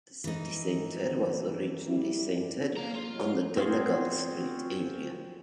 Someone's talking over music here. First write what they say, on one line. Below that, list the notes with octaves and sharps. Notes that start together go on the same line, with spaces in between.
The city centre was originally centred on the Donegall Street area.
E3 D#4
G3 E4
A#3 A#5
F4
A2 F#3 G#3
C4 F4 F#4 G#4 C6